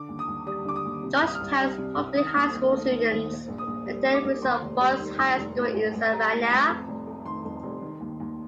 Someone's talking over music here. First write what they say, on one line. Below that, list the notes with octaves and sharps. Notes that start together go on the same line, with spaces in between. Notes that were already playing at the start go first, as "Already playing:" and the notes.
Georgetown's public high school students attend Windsor Forest High School in Savannah.
Already playing: D3 D6
D#2
D#6
D#2
G3 D#6
D3 D6
D#6
D#2
C3
F6
C2 D#6
F6
C2
G3
C3
C2
D#3 D#6
F6
D#2 D#6
D#2
A3
D#3
D#2
A#2
A#1
D#6
A#1
G3
A#2
D6
A#1
D#2 C6
F1
G3
D#3
D#2
F1
A2
A1
A1
G3 A#5
A2
A1
F2
F1
A3
D#3 C6
F2
F1
D#3
D#2
D#2